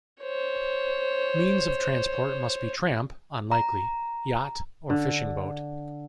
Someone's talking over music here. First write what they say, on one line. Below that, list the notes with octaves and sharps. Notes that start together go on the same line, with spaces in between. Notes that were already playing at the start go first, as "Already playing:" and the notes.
Means of transport must be tramp - unlikely - yacht, or fishing-boat.
C5 C#5
A#5
D3